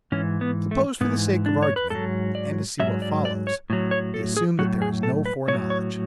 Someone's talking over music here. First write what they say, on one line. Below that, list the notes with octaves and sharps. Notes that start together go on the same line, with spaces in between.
Suppose, for the sake of argument, and to see what follows, we assume that there is no foreknowledge.
G#2 E3 C#4
B3
A3
G#2 E3 B3
D4
C#5
B4
G#2 F#3 A4
D5
G#2 F#3 E5
D5
D5
C#5
A2 F#3
C#5
A4
G#4
A2 F#3 F#4
G#4
A4
B4
A2 C#5
F#3
C#5